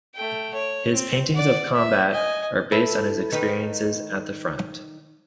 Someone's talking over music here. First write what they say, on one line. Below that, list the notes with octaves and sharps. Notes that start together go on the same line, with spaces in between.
His paintings of combat are based on his experiences at the front.
A3 G5
C#5
C4
D5 F#5
E5
D#5 G#5
E4 A4 B4
D#3 D#4 B4